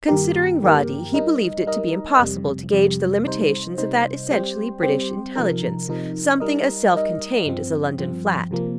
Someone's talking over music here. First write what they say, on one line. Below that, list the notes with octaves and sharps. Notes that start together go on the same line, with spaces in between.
Considering Roddy, he believed it to be impossible to gauge the limitations of that essentially British intelligence--something as self-contained as a London flat.
G2 D#3 A#3 G4 A#4
G2 D#3 A#3 G4 A#4
G3 D#4 A#4 D#5
G3 D#4 A#4 D#5
F2 C3 G3
F2 C3 G3
C3 G3 D#4 C5
C3 G3 D#4 C5
G3 C4 G4 C5
G3 C4 G4 C5
C3 F3 D#4 A#4
C3 F3 D#4 A#4
G3 D#4 A#4 D#5
G3 D#4 A#4 D#5
G2 F3 C4
G2 F3 C4
C3 F3 A#3